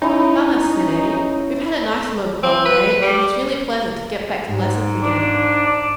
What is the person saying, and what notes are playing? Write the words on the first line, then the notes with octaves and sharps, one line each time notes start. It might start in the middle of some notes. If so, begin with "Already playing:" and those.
"Mamma," said Eddie, "we've had a nice long holiday, and it's really pleasant to get back to lessons again."
C#4 D#4 E4
C4
B4
G3
G#2
D4
D5